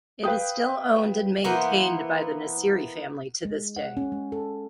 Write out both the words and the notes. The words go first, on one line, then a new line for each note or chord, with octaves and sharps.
It is still owned and maintained by the Nasiri family to this day.
B4 F5 G5 D#6
E3 A#3 B3 C5
G#3
F#5
C#4
G#3
A4